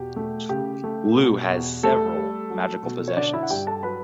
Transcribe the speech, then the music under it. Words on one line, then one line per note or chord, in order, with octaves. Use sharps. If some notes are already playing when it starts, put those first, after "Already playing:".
Lugh has several magical possessions.
Already playing: E2 B2 G4
A3
C#3 G4
A3
B2
E2
G3 A3 A4
G3
F#3
B2
C#5
D3 D4 D5
E4 E5
F#5
G2 G4 G5
A4 A5
F#3 B4 B5